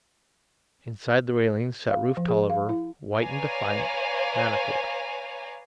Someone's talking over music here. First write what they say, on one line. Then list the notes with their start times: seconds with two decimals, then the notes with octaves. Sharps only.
Inside the railing sat Rufe Tolliver, white and defiant--manacled.
1.89 F5
2.17 F3
2.28 G#4
2.50 F5
2.69 E4
3.17 B4 C#5 D5 F5 G#5 A#5